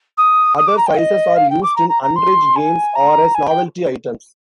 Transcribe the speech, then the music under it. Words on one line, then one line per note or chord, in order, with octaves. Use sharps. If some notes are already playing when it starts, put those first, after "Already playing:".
Other sizes are used in underage games or as novelty items.
D#6
D#6
D6
A#5
G5
D#5
F5
G5
D6
A#5
A#5
A#5
C6
G#5
A#5
G#5
G5